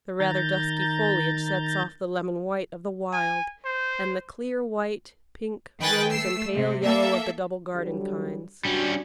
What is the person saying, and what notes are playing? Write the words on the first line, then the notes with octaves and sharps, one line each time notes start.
The rather dusky foliage sets off the lemon-white of the wild, and the clear white, pink, rose, and pale yellow of the double garden kinds.
D#3 A#5 G6 A6
G#5
C5
D#3 B4 G5 G#5 F#6 A6
A3 E6 C7
C3
A#3 A4 E5
D3 F#3 G3
G3 C#4 D4 F#4